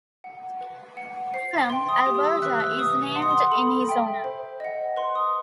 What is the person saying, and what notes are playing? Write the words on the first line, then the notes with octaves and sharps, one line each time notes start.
Killam, Alberta is named in his honour.
F#5
B4
F#5
C5 C7
A6
E5 G5 C6
D#6
G4 D#6
E6
B4 E5 F#6
E6
B4 D#6
F#5 C6
D#6
C6
A4 B5
E5 G5
C5
D#5 F#5
B4 C6
D#6